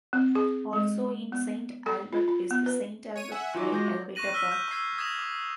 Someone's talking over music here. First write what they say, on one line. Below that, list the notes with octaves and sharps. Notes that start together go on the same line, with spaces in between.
Also in Saint Albert is the Saint Albert Grain Elevator Park.
C4
G#4
G#3
B3
A4
F4
F4
B3
B4
C#5 D#7
E5 F#5 G#5
E3 D#4 F4 F#4 D6
G#3 D6 G6 A#6
C#6 D6 F#6 A#6 D#7 F#7
E6 F6 A#6 B6
G6
E6 G#6 C7
D#6 G#6 A#6 E7 F7
D6